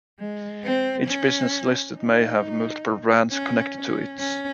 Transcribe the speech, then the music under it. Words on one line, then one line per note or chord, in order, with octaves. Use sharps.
Each business listed may have multiple brands connected to it.
G#3
C4
C#4
D#4
C#4
C#4
C#4